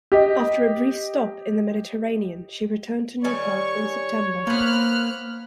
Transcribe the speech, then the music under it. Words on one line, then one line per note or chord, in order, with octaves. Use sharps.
After a brief stop in the Mediterranean she returned to Newport in September.
G4 D#5
D#3 G3 C#5 G#5 C#6
A#3 B3 C5 B5 F6 F#6